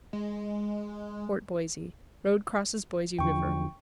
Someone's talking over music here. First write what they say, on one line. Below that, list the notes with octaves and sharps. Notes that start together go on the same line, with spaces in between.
Fort Boise.--Road crosses Boise River.
G#3
E2 D3 F3 G5 C#6